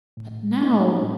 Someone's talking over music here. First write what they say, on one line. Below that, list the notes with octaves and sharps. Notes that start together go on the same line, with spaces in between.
But now!
A2
A3 D#4
A2